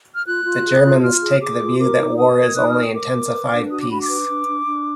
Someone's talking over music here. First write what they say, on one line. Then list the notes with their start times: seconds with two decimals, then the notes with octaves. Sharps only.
The Germans take the view that war is only intensified peace.
0.15 F6
0.26 F4 F#6
0.45 F4
0.65 G#4
0.83 F4
1.03 F4 F6
1.22 G#4
1.41 G#4 D6
1.60 F4
1.79 A#4 D6
1.98 D#4
2.17 A#4 D#6
2.37 A#4
2.43 G#6
2.56 D#4 F#6
2.69 F6
2.74 A#4
2.81 D#6
2.94 A#4 D6
3.13 A#4
3.32 B4
3.52 D4
3.71 F#4 D#6
3.81 D6
3.90 D4 B5
4.03 D6
4.09 B4
4.28 D4
4.47 D4
4.66 D4